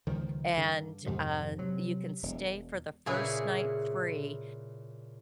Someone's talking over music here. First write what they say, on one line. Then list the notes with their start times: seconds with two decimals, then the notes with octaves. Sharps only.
and, uh, you can stay for the first night free,
0.07 C#2 D#3 F3
0.57 G2 D3
1.06 F2 G#2 C3 D#3
1.58 C3 F#3
2.23 E1
3.06 A#2 C#3 E4 G#4 B4